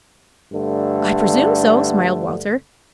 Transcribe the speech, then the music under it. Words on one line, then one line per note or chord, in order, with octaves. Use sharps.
"I presume so," smiled Walter.
G2 D3 A3